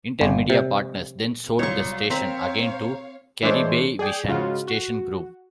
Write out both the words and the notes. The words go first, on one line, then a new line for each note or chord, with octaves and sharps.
InterMedia Partners then sold the station again to Caribevision Station Group.
G1
C3
C2 F#3 F4 C#5 C#6
C4 A#4 C5 C#5 F5 B6
E3 G#3 D4 C5 C#5
G#4 D5 G5
G#2 C#3 F4 F#4
F#4